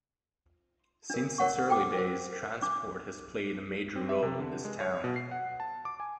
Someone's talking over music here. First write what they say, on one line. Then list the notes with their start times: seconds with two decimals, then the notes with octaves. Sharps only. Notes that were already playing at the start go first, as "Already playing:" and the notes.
Since its early days, transport has played a major role in this town.
1.10 D4 A#4
1.38 A#4 C#5 F#5 C#6
1.68 A4 G5 D6
1.97 A#4 C5
2.62 D4 D6
3.96 C4
4.09 E5
4.23 C3
4.39 D3
4.65 G#3
4.80 C#5
5.04 B2
5.16 C7
5.31 F#5
5.60 A5
5.85 D6
6.00 G#5